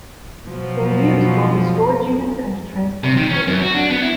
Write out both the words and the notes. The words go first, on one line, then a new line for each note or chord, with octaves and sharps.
They are used both as storage units and to transport materials.
B2 F3 F#3
C3
D#3
C#4
F#2
F#4
D4
B3
E4